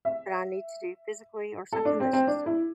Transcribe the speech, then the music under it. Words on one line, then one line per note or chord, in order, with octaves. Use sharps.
that I need to do physically or something that's just,
E5
A4
D4
C4
C4
D4
E4